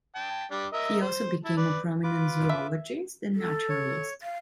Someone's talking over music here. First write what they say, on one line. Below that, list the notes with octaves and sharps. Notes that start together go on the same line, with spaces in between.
He also became a prominent zoologist and naturalist.
G5 A5
G3 D4 G4
A#4 D#5 E5
C5
E4 A5
B4 D5
F4 B4 D6
E5
A4
C#5
F5